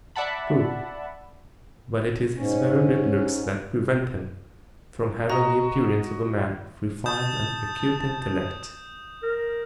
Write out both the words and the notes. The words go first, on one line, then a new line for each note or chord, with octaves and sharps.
"True, but it is his very good looks that prevent him from having the appearance of a man of refined and acute intellect."
D5 E5 F#5 A5 B5
G#2 C#4
F#4 D#5 A#5
A5 D#6 G6 E7
A#4